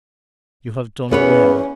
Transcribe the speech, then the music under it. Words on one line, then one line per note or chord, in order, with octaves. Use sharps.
You have done well!
E2 B3 C#4 B4 C#5